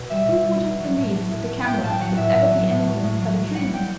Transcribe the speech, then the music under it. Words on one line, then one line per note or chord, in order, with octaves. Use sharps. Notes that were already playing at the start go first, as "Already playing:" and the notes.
Who would have believed that the camera would ever be anything but a dream?
Already playing: B2
G3 E5
B2
G3
B2
F#3
A2
F#3
A2
F#3
A2 G5
A2 A5
G5
F#3 F#5
A2 E5
A2
F#3
A2
F#3
A2
F#3
F#3
G3 F#5
G3 G5